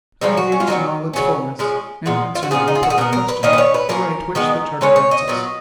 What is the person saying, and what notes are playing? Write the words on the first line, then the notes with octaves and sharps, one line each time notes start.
I have used, in all its fulness, and concerning an important question, the right which the charter grants us.
C#3 F3 A#3 C#4 D#4
F#4
C#4
F4
D#3 F#3 B3 D#4
C#3 F#3 C#4
F3 G#3 C#4
A#2 G#3 B3
F4
F#4
A#2 F3 B3 G#4
D#4
F4
F#4
G#4
B2 F#3 B3 A#4
A#4
B4
D#3 A#3 C#4 D#5
B4
C#5
B4
F3 A#3 C#4 A#4
D#3 G#3 B3
C#3 G#3 C#4 C#5
C#5
D#5
A#2 F#3 B3